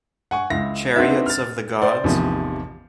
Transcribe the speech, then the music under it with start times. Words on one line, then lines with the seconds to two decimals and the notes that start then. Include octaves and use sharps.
Chariots of the Gods?
0.31 F#5 G#5 C#6
0.50 C#2 E4 F5 A#6
0.96 B3 C4 D4 D#4 F#4 E5
1.26 F6 A6
1.82 C5 D5
2.04 A1 E2 C3 D#3 F3